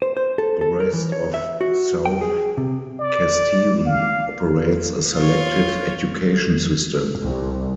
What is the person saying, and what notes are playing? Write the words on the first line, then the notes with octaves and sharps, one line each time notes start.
The rest of South Kesteven operates a selective education system.
C5
C5
A4
A4
A#4
E3
C#5
E5
F#4
G5
G#4
C3
D5
F5
F4 C#5
C2